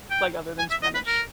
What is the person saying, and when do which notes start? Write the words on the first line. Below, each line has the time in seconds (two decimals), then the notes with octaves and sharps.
Like other than Spanish?
0.11 G5
0.59 G#5
0.71 E5
0.83 D#5
0.94 B4
1.07 A#4